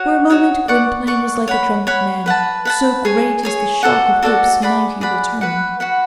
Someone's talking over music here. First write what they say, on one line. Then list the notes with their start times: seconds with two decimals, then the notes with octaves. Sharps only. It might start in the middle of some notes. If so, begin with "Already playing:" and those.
For a moment Gwynplaine was like a drunken man, so great is the shock of Hope's mighty return.
Already playing: F#4 C#5 F#5
0.30 F#4 C#5 F#5
0.68 D5 F#5 C#6
1.07 D5 F#5 C#6
1.47 C#5 F#5 B5
1.87 C#5 F#5 B5
2.26 B4 F#5 A5
2.65 B4 F#5 A5
3.05 G#4 C#5 G#5
3.43 G#4 C#5 G#5
3.83 F#4 A4 D5 F#5
4.22 F#4 A4 D5 F#5
4.62 G#4 D5 F#5 B5
5.01 G#4 D5 F#5 B5
5.41 F#4 B4 F#5
5.80 F#4 B4 F#5